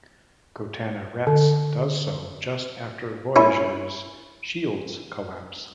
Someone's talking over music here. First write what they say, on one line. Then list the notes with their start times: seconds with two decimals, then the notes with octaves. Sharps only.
Gotana-Retz does so just after "Voyager's" shields collapse.
1.27 D3
3.36 C#4 E4